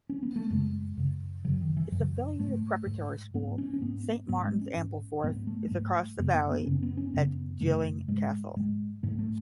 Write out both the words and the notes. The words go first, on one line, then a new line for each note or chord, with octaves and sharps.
Its affiliated preparatory school, Saint Martin's Ampleforth, is across the valley at Gilling Castle.
C#4
B3
A3
F#2 C#3 G#3
F#2 C#3
F#2 C#3 F#3
D#3
E3
F#2 C#3 F#3
G#2 A3
G#2
G#2 B3
C#4
C#4
G#2 B3
G#2 B3
G#3
C#4
G#2
G#2 B3
A3
G#3
G#2 A3
F#2 C#3 B3
B3
B3
F#2 C#3 C#4
B3
C#4
F#2 C#3 B3
F#2 C#3 A3
G#2 G#3
G#2 G#3
G#2 A3
A3